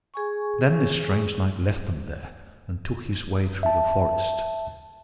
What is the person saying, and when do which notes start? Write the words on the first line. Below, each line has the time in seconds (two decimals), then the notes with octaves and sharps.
And then this strange knight left them there, and took his way through the forest.
0.14 G#4 G#5 C#6
3.63 E5 A5